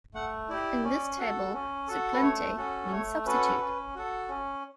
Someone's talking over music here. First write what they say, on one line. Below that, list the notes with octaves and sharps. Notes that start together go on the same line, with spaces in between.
In this table "suplente" means substitute.
A3 F#5
E4 G4 D5
C#4
F#4 A4
C#4
F#4 A4
B4
A3 C#5
C#4 F#4 A4
A3 C#5
C#4 F#4 A4 B4
C#4
F#4 A4
C#4